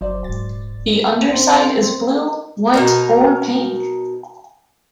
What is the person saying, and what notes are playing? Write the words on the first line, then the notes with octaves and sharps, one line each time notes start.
The underside is blue, white, or pink.
G1 F#3 C5 D5
D#1 G#2 A6
C4
B2 D#4 A#4